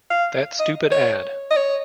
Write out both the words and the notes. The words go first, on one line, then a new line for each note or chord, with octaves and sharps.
That stupid ad.
F5
D#5
C#5
D#5
C#5